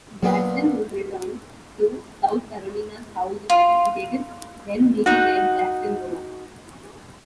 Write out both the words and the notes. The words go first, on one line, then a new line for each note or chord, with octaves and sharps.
Gadsden was returned to South Carolina's House of Representatives, then meeting at Jacksonboro.
A#2 F#3 B3 D4
F4
D#4 F#4